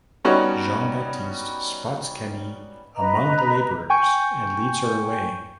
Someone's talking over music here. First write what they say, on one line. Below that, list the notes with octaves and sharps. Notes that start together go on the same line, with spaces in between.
Jean-Baptiste spots Camille among the laborers and leads her away.
G3 B3 C#4 D#4 F#4 C#5
B4 D#5 A#5
G5 G#5 C#6 G6